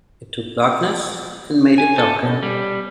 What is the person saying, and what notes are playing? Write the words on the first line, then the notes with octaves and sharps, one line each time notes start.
It took darkness and made it darker.
G#5
A4
B2
G3